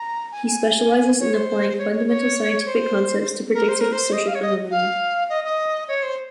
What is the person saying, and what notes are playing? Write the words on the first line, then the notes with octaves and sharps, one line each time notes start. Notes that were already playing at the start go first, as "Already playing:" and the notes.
He specializes in applying fundamental scientific concepts to predicting social phenomena.
Already playing: A#5
G#5
G#5
C#5
C5
C#5
C#5
C#5
C5
A#4
C5
A#4
C5
D#5
F5
C#5
D#5
F5
D#5
D#5
C#5
C5